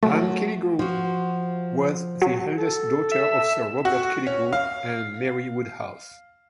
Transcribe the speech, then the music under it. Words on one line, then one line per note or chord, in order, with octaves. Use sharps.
Anne Killigrew was the eldest daughter of Sir Robert Killigrew and Mary Woodhouse.
F#3 A3
F3 F#4
F#3
A4
E5
F#4
C#4
F5